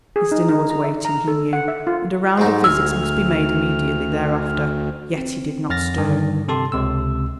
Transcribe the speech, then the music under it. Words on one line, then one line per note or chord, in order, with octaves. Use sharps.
His dinner was waiting, he knew, and a round of visits must be made immediately thereafter, yet he did not stir.
G#4
D#4
D#4
A#5
E5
A#5
A4
F#5
E5
F4
G#2 F#3 D#4 G4
D2 G#5 E6 F6
C4
F2 F6 A6 A#6
G2 D3 D#3
C3 G4 A4 A5 C6
C#2 C3 E6